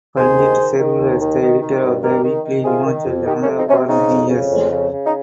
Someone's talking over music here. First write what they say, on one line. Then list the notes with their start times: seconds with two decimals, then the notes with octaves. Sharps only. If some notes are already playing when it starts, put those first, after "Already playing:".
Pandit served as the editor of the weekly "Himachal Janata" for many years.
0.17 D#2 G#4 C5
0.38 D#3
0.59 D#3
0.80 D#3
0.99 D#2
1.20 D#3
1.41 D#3
1.62 D#3
1.82 G2
2.03 D#3 G4 A#4
2.23 D#3
2.44 D#3
2.64 C3 F4 G#4
2.85 D#3
3.06 F2
3.27 D#3 D#4 G4
3.41 A#3 C#4
3.47 F2
3.57 C4 D#4
3.67 C3 C#4
3.73 C4
3.88 C#3 C4 D#4
4.09 F2
4.29 C#3
4.50 F2
4.70 C#3
4.91 C#3
5.07 D#4